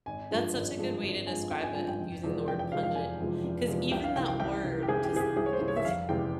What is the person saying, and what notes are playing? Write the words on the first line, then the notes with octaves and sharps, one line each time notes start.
That's such a good way to describe it, using the word pungent, 'cause even that word just n
G#1 G#5
G2 F3 G#3
G#1
G2 F3 G#3
G#1
G2 F3 G#3 G#5
G#1 G5
G#5
G2 F3 G#3 G#5
G5
F1
E2 C3 F3 G#3
F1 G5
G5
E2 C3 F3 G#3 F5
F5
F1 G#5
E2 C3 F3 G#3
F1
E2 C3 F3 G#3
C2 G5
F5
C3 E3 G5
G5
C2 G5
C3 E3
G4
C2 G#4
G4
C3 E3 G#4
G4
C2 G#4
C#5
C5
C3 E3
C#5
E5
F1 F5
E2 C3 E3 G#3 G5